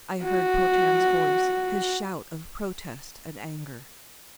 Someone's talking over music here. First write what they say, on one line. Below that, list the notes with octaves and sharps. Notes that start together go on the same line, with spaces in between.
I heard Potan's voice, his shout of protest and anger.
F#4